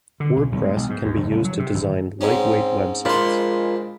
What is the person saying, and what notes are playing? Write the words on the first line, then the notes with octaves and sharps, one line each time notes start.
Wordpress can be used to design light weight websites.
D3
B1
B1
G#3
B1
G#2
D#2
F1
F#1
F#3
C3
G#1
G#2 C4 C#4
G#3 D4 F4 A#4 C5 B5